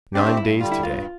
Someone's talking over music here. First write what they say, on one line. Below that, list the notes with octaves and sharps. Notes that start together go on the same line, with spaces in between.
It's nine days today.
A3 C4 D4 G4
D4
G2 E4
D3 G3 F4
E4
G2 F4